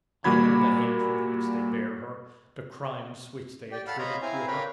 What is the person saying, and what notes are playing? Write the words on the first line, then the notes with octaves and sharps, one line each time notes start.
I know the hatred which they bear her, the crimes which they attribute to her.
A#2 G3 A#3 F#4 B5 G#6
G4 D5 G5
A4 F5 F#5 B5 E6 F6
C5 C#5 D#5 F5 A#5 B5
C4 E4 C5 F5 G#5 A#5
A#4 B4 C#5 F5 G5 B5